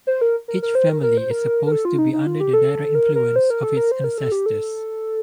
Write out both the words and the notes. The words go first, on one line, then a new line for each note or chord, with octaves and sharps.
Each family is supposed to be under the direct influence of its ancestors.
C5
A#4
A#4
A#4
C5
A#4
A#4
C5
A#4
A#4
A4
F4
D#4
D#4
F4
G4
A4
A#4
A#4
C5
A#4
A4
A#4
C5
A#4
A4
G4
A4